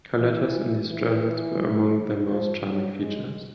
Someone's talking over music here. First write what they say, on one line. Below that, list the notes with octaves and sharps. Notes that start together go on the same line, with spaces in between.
Her letters in these journals were among their most charming features.
E3
E3
F3
F#3
G#3